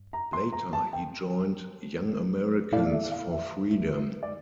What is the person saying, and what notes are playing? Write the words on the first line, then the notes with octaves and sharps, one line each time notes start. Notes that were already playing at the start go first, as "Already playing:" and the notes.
Later he joined Young Americans for Freedom.
Already playing: G2
A#5
C6
A#5
A5
G5
A#2 A3 E4 A4 D5 F5
E5
F5
E5
D5